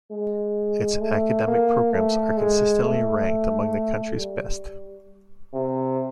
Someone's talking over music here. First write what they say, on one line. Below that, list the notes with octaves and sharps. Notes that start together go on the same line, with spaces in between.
Its academic programs are consistently ranked among the country's best.
G#3
A3
A#3
A3
G#3
A3
G3
C3